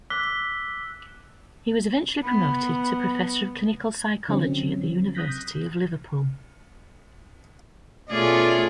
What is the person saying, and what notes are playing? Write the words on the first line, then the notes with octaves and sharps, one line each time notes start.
He was eventually promoted to Professor of Clinical Psychology at the University of Liverpool.
D6 E6 F#6 B6 G7
B3 B5
D3 F#3 C4 C#4
D#6 F#6 G6 A#6 B6
B2 A3 C#4 F4 G#4 D5